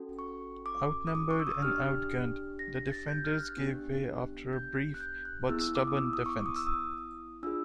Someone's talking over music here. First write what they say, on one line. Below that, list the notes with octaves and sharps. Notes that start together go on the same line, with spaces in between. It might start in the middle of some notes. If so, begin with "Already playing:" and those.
Outnumbered and outgunned, the defenders gave way after a brief, but stubborn, defense.
Already playing: C#4 F#4 A4
C#6
D6
D#6
D6
C#6
E6
D#6
D4 G4 F6
A#6
A#6
A6
G6
F6
F#6
B3 D4 G4
G6
F#6
G6
F#6
B3 E4 G#4 E6
D6
D#6
E6
D#6
C#6
D6
D#6
E6
D#6
D4 F4 G#4 E6